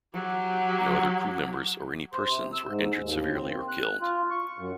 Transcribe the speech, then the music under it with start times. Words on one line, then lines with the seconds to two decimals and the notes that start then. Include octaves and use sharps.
No other crew members or any persons were injured severely or killed.
0.14 F#3 G4
2.13 C5
2.27 C3
2.53 E6
2.68 G#2
2.99 D#2
3.34 C4
3.68 F#6
4.01 F4
4.31 C#6
4.58 F#2